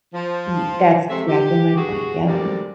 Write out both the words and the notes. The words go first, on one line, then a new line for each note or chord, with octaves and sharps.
Y that's exactly my point, yep.
F3
C3 G#3 A3 C4 E5
G4
G2 F#4 G#4
D2 G#2 C3 G3 A#4 D5